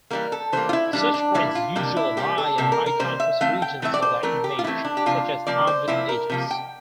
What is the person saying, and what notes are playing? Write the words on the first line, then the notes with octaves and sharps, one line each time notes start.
Such points usually lie on high-contrast regions of the image, such as object edges.
E3 G3 A#3 A#4
A4
E3 G3 A#3 C5
F4
E4
E3 G3 A#3 D4
D4
E3 G3 A#3 E4
F4
C3 G3 A#3 D4
E4
C3 G3 A#3 G4
A4
C3 G3 A#3 A4
A#4
A#4
C3 G3 A#3 C5
E5
E3 A3 C4 F5
G5
E3 A3 C4 E5
D5
C5
E3 A3 C4 A#4
G4
F4
E3 A3 C4 E4
D4
G4
C3 F3 A#3 F4
C3 F3 A#3 D5
C5
C3 F3 A#3 E4
A#4
C3 F3 A#3
G5